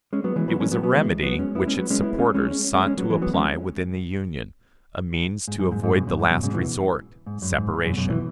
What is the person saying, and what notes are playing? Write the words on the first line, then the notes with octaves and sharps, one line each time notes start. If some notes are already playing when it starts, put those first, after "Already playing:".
It was a remedy which its supporters sought to apply within the Union; a means to avoid the last resort--separation.
G#3 C#4
F#3 B3
E3 G#3
F#3 B3
G#3 C#4
F#3 B3
F#3 B3
E3 G#3
F#3 B3
G#3 C#4
B3 E4
G#3 C#4
F#3 B3
G#3 C#4
B3 E4
B3
G#3 C#4
G#3 C#4
G#3 C#4
G#3 C#4
G#3 C#4
F#3 B3
E3 G#3
F#3 B3
G#3 C#4
G#2
F#2
G#2
G#2
F#2 B2
F#2
G#2
F#2 B2
G#2 C#3
B2 E3
G#2
F#2
G#2
G#2
F#2 B2
F#2 B2
B2 E3